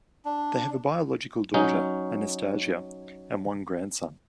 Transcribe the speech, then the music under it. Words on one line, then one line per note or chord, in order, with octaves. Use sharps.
They have a biological daughter Anastasia, and one grandson.
D4
F#3 C#4 D#4